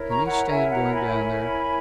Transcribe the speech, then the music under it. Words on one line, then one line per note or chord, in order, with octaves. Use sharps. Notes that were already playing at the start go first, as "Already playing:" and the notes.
Can you stand going down there?
Already playing: E4 A#4 C#5
A#5 C#6
F#5 A#5
E5 G#5
F#5 A#5
G#5 B5